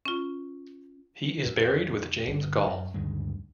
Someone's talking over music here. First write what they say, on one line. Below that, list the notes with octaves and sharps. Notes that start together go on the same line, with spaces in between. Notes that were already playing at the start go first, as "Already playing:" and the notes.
He is buried with James Gall.
C#4 F4
F2
G1
F#2
D2 G2 C#3 G#3